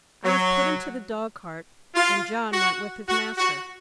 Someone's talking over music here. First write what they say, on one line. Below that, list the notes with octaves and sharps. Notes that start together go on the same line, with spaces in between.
I was put into the dog-cart, and John went with his master.
F#3
F4
F#4
F#4
F#4